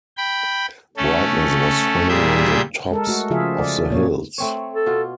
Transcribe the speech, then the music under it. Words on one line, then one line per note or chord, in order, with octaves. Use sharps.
Brightness was swimming on the tops of the hills.
G5 B5
A3 C#4 A4
A#2 G3 G#4 E5 G6
G#3 A4 A#4
A3 F#4
C#3 F3 F4 G#4 E5 F5
D5
A#2 F3 A#3 C#5
A3 C4 C#5
A4
B2 F4